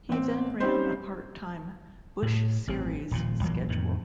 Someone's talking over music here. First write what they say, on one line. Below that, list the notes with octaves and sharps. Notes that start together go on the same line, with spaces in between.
He then ran a part-time Busch Series schedule.
A1 C4
G3 C4 C#4 D#4 C5
A2
A1 C4
D#1 A#2 F3
A#1 E3 F#3 A#3
F2 A2 D#3